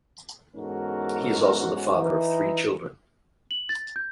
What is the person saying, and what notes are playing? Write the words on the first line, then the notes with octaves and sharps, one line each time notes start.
He is also the father of three children.
E2 G#2 C#4 F#4 A4 A#4
E3 D#4
F#7
A6
G6